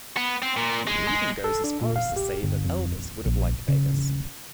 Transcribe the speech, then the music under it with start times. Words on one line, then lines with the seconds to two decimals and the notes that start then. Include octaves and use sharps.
He even goes as far as to say that Elvis would have liked Vegas.
0.17 B3
0.42 C4
0.57 A#2
0.87 G#3
1.08 G#3
1.44 A4
1.64 D4
1.81 A#2
1.96 F5
2.16 G4
2.43 G1
2.64 F2
3.26 A#1
3.68 C#3